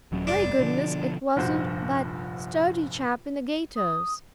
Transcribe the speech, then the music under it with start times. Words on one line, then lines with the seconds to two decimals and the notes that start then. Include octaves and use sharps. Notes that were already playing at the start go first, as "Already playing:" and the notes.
Pray goodness it wasn't that sturdy chap in the gaiters!
0.12 D#1 F#3 C#4
0.27 F1 G2 D4
0.59 B2 D3 F3
1.36 F1 A#1 G2 F#4 C5
3.76 D#6